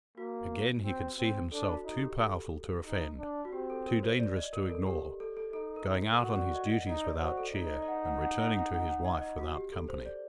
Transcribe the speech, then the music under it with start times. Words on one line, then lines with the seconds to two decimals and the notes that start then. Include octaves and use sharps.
Again, he could see himself too powerful to offend, too dangerous to ignore, going out on his duties without cheer, and returning to his wife without company.
0.18 A#3 F#4
0.85 C4
1.18 C4
1.52 D4 A4
1.74 F#4
1.85 D#4
1.97 G4
2.18 A4
2.85 D#4
3.19 D4
3.45 F#4
3.52 C4 G4
3.70 A4
3.86 A#4
4.03 C5
4.20 D5
4.36 D#5
4.53 A#4
4.69 A4
4.86 G4
5.20 A4
5.37 A4
5.53 D#4 A4
5.76 A#4
6.20 F#4 A#4
6.37 D5
6.54 D#5
6.65 D#5
6.70 F#5
6.87 D#4 D#5
7.04 D5
7.21 F#4 C5
7.38 A4
7.54 D#4 D#5
7.71 D#5
7.82 D#5
7.88 F#5
8.05 F#5
8.22 F#5
8.40 F#5
8.57 F#5
8.74 F#5
8.88 F#5
9.05 D#5
9.21 D#5
9.38 F#4
9.56 G4
9.72 A4
9.89 C5
10.06 D5